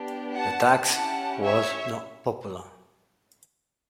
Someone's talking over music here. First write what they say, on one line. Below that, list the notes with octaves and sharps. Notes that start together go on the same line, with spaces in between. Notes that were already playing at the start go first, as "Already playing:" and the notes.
The tax was not popular.
Already playing: B3 D4 G4
F#5 A5
C#4 E4 G4 F#5 A5
C#5 E5